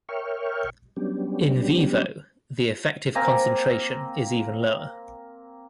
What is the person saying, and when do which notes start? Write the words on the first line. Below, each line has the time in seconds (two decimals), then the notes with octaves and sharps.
"In vivo" the effective concentration is even lower.
0.09 A#4 C#5 E5 G5 C#6 F6
0.97 F#3 G3 B3 C#4 D4 G4
3.15 A#3 C4 G#5 A#5